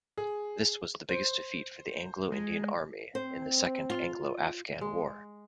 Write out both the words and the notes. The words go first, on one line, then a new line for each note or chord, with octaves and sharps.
This was the biggest defeat for the Anglo-Indian army in the second Anglo-Afghan war.
G#4
C5
G#3
C4 C5
F4
G#3